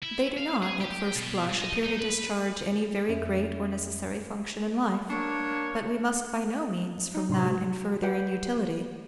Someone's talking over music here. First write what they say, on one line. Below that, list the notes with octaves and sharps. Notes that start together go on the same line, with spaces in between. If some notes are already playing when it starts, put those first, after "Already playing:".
They do not, at first blush, appear to discharge any very great or necessary function in life; but we must by no means, from that, infer their inutility.
E4
F5
G#4
G4
B2
G2
D#4
D#4
B4
F2 C#4 E5
A#3 D4 C#5 C#6
D#4
A2 C3 D4 C6
G#3 F#4
G4 B4 F#5 G5